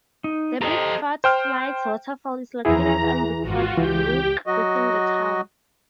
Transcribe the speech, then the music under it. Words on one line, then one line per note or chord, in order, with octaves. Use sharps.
The Bickford Slides waterfall is located on Bickford Brook within the town.
D#4
G4 A4 C5 D#5 A#5
C5 G5 F6
E2 F3 E4 G#4 A#5
E3
G#1 F4 F#4
C#2 E3 G4 G5
F#3 F#4 D#5